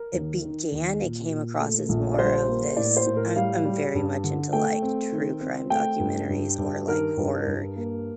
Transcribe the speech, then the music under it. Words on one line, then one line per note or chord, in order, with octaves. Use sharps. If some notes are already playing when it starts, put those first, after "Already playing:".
it began, it came across as more of this I I'm very much into, like, true crime documentaries or, like, horror
Already playing: A#4
D#2
D#3
D#2
A#2
A#2
A3
A#1
D5
G3 C5
A#3
A2 D5
C5
A2
A#4
G3 F5
G3
G2
D3
A3 G5
C4
D#3
C4
A3 G5
G2
G2
G2
D#3 A#4
G2
G2
A#3